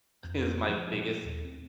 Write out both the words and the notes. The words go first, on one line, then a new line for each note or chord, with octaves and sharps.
is my biggest
F2
F3
A#2
D#2
C4